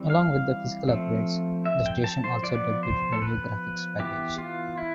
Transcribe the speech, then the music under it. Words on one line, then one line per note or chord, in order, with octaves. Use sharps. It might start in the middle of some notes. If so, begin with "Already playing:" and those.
Along with the physical upgrades, the station also debuted a new graphics package.
Already playing: E3 G3 C4
F5
F3 A3 C4
E5
G5
A5
C5
F3 B3 D5
C5
A4
B4
E3 B3 G4
F4
E4